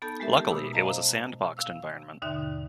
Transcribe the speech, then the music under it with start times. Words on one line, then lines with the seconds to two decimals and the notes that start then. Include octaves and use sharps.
Luckily it was a sandboxed environment.
0.02 B3 D#4 A4 A5 G6
0.20 G#3 A3 G4 A#4 E5
0.50 B2 B5 D6 E6
0.73 C5 D#5 F5 A5 A#5
1.57 F5 E6
2.22 D#2 G#2 B2 D3 D#4 E5